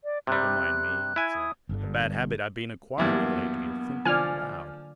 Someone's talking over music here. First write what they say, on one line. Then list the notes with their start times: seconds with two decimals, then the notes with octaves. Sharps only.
Never mind me. It's a bad habit I've been acquiring lately of thinking aloud.
0.04 D5
0.27 C3 G3 F#6
1.16 E4 G#5
1.34 D#6
1.69 G1 G2 D3
2.98 E2 G2 F#3 A#3 B3 E4
4.05 D3 F3 F4 D5 G#5 F6